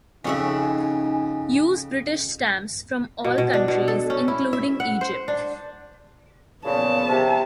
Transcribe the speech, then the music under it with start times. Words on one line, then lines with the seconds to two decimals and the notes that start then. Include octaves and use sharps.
Use British stamps from all countries, including Egypt.
0.25 F2 C#3 C#4 D#4 F#4 E5 G#5
3.24 B2
3.38 B2
3.53 D4
3.68 B2
3.88 A4
4.10 C#4
4.28 E4
4.53 E5
4.80 F#5
5.01 C5
5.28 D4
6.65 A#2 C#3 B3 A5
7.09 C3